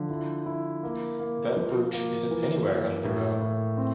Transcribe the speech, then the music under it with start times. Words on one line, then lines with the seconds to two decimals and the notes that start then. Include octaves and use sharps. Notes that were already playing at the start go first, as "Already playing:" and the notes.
That brooch isn’t anywhere on the bureau.
Already playing: D3 F3
0.09 E4
0.46 E4
0.83 A#3
1.19 A#3
1.57 F3
1.93 A#3
2.31 E3
2.67 A#3
3.04 A2
3.40 A2
3.77 C4